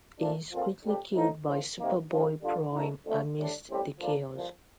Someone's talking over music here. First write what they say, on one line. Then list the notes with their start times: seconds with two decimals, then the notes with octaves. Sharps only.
He is quickly killed by Superboy-Prime amidst the chaos.
0.19 A#2 F3 A3 D4
0.52 A#2 F3 C4 F4 A4
0.83 F2 D3 G3 D4 G4
1.14 A2 F3 A3 D#4
1.45 A#1 A2 F3
1.78 C3 D#3 A#3
2.09 A1 G2 F3
2.42 D3 G3 D4 F4
2.73 C2 A#2 A3 D#4
3.05 F2 D3 A3
3.37 A2 G3 D4
3.67 A1 A2 G3 C4 G4
3.99 D3 F3 A#3 D4
4.31 C2 A#2 F3